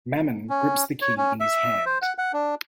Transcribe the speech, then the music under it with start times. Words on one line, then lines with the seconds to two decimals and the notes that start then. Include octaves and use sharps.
Mammon grips the key in his hand.
0.50 C#4
1.02 C#5
1.18 C#4
1.40 E5
1.86 C5
2.02 F#5
2.18 F#5
2.33 D4